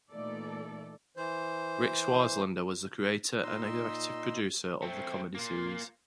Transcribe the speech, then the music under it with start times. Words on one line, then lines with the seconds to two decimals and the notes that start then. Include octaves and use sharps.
Ric Swartzlander was the creator and executive producer of the comedy series.
0.11 A#2 E3 A3 D#4 A4 D5
1.17 E3 C5
3.43 A#2 D#4 D#5 C6 E6
4.82 A3 C4
5.35 A#3 F4